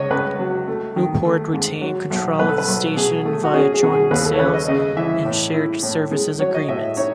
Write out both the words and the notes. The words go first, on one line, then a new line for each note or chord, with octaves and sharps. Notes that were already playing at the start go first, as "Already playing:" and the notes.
Newport retained control of the station via joint sales and shared services agreements.
Already playing: C#2 C#5 D#5
C#2 B4
F#3
A3
D#3
A3
G#2
F#3
B1
B1 B4
A4
B4
B1
B2 G#4
A3
F#4
C#4 G#4
G#4
B2
G#4
D#2 B4
A4
C#5
C#3 B4
D#5
C#3 D#5
E3 E5
A2
E4
A2
G#3
F#3 C#5
D#5
A2 E5
D#4 C#5